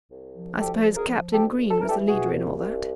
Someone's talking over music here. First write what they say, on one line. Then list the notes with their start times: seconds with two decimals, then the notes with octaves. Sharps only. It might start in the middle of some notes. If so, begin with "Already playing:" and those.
"I suppose Captain Green was the leader in all that?"
0.10 C2
0.36 F3
0.60 D2 G4 A4
0.85 D2
0.97 G#4 A#4
1.09 F3
1.33 D2 G4 A4
1.58 D2
1.71 A4
1.81 E3 A#4
1.89 G4 A4
2.07 B2 F#4 G#4
2.32 C2
2.57 C2